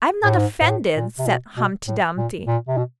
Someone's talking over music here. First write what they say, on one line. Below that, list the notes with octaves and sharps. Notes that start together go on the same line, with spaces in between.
'I'm not offended,' said Humpty Dumpty.
A2
G#2
G#2
A2
A#2
C3
B2
B2
A2
A#2
A#2
C3
B2